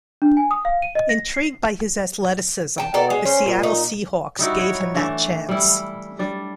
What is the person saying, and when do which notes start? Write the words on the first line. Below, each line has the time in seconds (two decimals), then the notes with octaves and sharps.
Intrigued by his athleticism, the Seattle Seahawks gave him that chance.
0.22 D4
0.37 G#5
0.51 D#6
0.65 F5
0.82 D#7
0.95 D#5
1.09 A#6
1.34 C7
2.78 G5 A5
2.94 B2 A4 A#4 D5
3.10 G#3
3.25 C#4 C5
3.46 A#2
3.63 D#4
4.39 G3 D#4 E4 F#4
4.59 C#5
4.94 E3 A3 D4
5.49 G3 E4
6.19 G3 D4